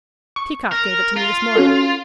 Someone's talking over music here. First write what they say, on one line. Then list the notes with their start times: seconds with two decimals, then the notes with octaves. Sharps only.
Peacock gave it to me this morning.
0.36 C#6
0.72 A#4
1.16 F4
1.56 C#4 F#4 A4